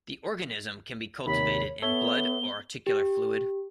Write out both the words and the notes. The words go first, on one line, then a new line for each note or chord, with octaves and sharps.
The organism can be cultivated in blood or articular fluid.
D#2 C3 D#3 C#5 B5
B3 A4 C#5 E5 G7
G4